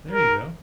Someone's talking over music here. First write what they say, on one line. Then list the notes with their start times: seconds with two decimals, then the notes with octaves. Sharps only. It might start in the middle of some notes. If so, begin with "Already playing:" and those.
There you go.
0.11 A#4